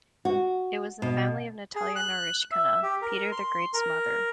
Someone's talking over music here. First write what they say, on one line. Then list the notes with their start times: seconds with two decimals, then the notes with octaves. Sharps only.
It was the family of Natalia Naryshkina, Peter the Great's mother.
0.25 F#4
1.02 B2
1.75 G#4
1.96 F#6
2.52 E5
2.83 G4
3.02 A#4
3.32 C6
3.74 A#4